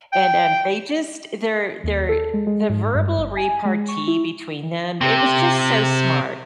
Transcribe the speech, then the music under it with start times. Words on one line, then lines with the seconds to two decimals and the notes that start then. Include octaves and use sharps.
And, um, they just their their the verbal repartee between them, it was just so smart.
0.13 G5
1.84 D#2
2.09 A4
2.34 G#3
2.47 G#3
2.69 G#2
2.94 G2
3.17 G1
3.37 G#5
3.65 G#3
3.88 C#6
4.08 E4
5.01 C3 C4